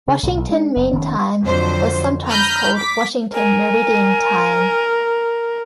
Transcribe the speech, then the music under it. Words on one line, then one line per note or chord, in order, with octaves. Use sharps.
Washington Mean Time was sometimes called Washington Meridian Time.
C#3
B1 A2 D3
B1
G#3 D4
F#1
F1 D#3 C#4
F2 D3 F#3 C5
A#5 B5 D#6 F6 G6 A#6
D6 B6
A#4 G#5